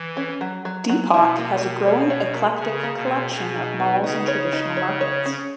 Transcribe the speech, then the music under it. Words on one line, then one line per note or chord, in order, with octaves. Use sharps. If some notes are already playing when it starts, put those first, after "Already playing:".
Depok has a growing eclectic collection of malls and traditional markets.
Already playing: E3
C#4
F#3
F#3
F#3
B2 E4
A#3
A#3
C#5
C#5
A#3
C#3 G#4
A#3
B2
G#4
B2 G#4
D#4
B3
C#3 D#4
C#5
D#4
C#5
C#5
C#4